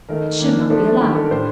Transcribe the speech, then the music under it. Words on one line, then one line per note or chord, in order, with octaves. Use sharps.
It should not be allowed.
D#3 A3 D#4 A#4
D#3 A#3 D4
F3 A3 D4 A4
D#3 G3 D4 G4
A4
A#4
A2 A3 D4 C5